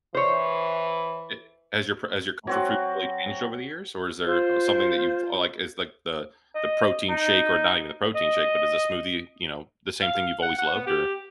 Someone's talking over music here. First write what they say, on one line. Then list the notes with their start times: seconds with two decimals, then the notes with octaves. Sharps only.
it, has your pr has your comfort food really changed over the years, or is there, uh, something that you've, like, it's like the, the protein shake, or not even the protein shake, but is a smoothie, you know, the same thing you've always loved, or
0.15 E3 C5 C#5
2.47 F#3 C4 F#4
4.25 F4 C5
6.55 D#5
7.09 D#4
8.15 D#5
10.01 F5
10.42 F#5
10.58 F#5
10.75 B3
10.87 G4